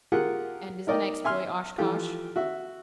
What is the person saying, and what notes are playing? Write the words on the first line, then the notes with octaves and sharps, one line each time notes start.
"And is the next boy Oshkosh?"
F4 G4 G#4 A#4 F#5
D#4 A#4 D5 D#5 G5
E5 G#5 C6 F6
E3 F3 F4 G4 A4
F#4 E5